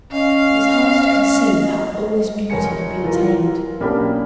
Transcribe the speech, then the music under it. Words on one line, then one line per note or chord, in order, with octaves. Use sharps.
It was hard to conceive how all this beauty had been attained.
C#4 D#5 F5
F1 A#4 C#5 G#5 C#7
E3 F4 A#4
B1 A#3 C#4 D4 G4 B5